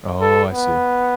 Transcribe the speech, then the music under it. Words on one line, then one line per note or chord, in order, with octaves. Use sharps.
Oh, I see.
A4
B3